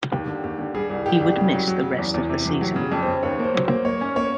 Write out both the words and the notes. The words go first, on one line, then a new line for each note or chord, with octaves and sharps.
He would miss the rest of the season.
D#2 G4
D3
D#2 G4
D3
G3 G#4
C2
C2 G4
C2
C#3
F#3
F#3
C#3
E2
E2
C3
E3 F#4
F#3 G4
C#3
G#4
F2
C5
C#3
D#2 C#5
A#3 C5
F#3
A#3 C5
A#3 C#5
C#4
A#3 C#5